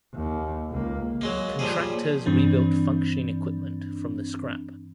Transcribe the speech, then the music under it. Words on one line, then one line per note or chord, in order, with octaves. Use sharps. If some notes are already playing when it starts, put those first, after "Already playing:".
Contractors rebuilt functioning equipment from the scrap.
D#2
C#2 A#3
F#3 G#3 A#3
A#2 F3 G3 G#4
G2 E3 C4 D4